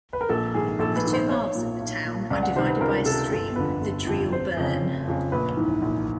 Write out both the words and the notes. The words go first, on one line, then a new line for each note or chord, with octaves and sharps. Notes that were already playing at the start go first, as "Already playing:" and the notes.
The two halves of the town are divided by a stream, the Dreel Burn.
B4
A#4
A#1 A4
G#2 D#3 G#4
A#1 A4
B4
G#2 D#3
C5
B1 C#5
A#2
B1
A#2
C#2 D5
F#5
C3 D#3 C5
B4
C#2 A#4
C3 D#3 A4
G1 A4
F2 D3 B4
G1
F2 D3
F1 C5
F2 C#3
F1
F2 C#3
A#1 B4
G#2 E3
A#1